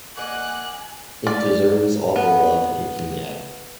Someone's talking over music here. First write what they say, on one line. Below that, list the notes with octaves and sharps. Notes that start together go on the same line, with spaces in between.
It deserves all the love it can get.
A#3 D#5 F#5 G#5 D6 F#6
D5
B3